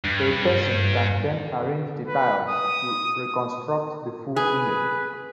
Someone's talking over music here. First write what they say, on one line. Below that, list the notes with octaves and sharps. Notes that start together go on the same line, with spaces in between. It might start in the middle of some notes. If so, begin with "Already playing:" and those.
A person can then arrange the tiles to reconstruct the full image.
G2
B4
D#6
G#4 B4